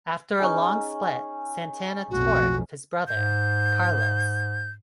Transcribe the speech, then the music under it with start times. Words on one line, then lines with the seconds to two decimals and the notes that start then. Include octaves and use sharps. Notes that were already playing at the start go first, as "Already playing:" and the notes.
After a long split, Santana toured with his brother, Carlos.
0.40 C#4 D#4 G#4
2.10 B1 F2 A2 F#4
3.08 G#2 G6